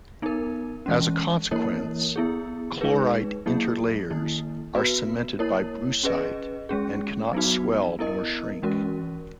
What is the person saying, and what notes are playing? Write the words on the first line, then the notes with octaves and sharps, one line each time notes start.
As a consequence, chlorite interlayers are cemented by brucite and cannot swell nor shrink.
B3 D#4 A#4
E3 G#3 C#4
E3 A#3 E4 A#4 C#5
B3 E4 G#4
G#3 D#4 G#4 B4
F#3 A#3 E4 G#4
D#3 A#3 E4
B3 F#4 B4
A#3 E4 A#4 C#5
C#4 G#4 B4 D#5
G#3 C#4 G#4
F#3 B3 D#4 F#4
B3 E4 A#4 D#5
E3 G#3 C#4 F#4 A#4